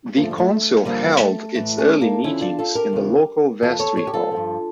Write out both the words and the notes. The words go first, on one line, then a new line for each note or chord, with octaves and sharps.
The council held its early meetings in the local vestry hall.
F2 D3 F3 A#3
A3
G3
A3
G2 D3 F3 G3 A#3
A3
A2 E3 A3
A3 C#4
A#3 D4
E2 D3 F3 C#4 E4
D4 F4
F4 A4
G4 A#4
E2 C#3 F3
E2 E3 F4 A4
A4 C#5
A4 C#5
G4
F4 A4
G2 F3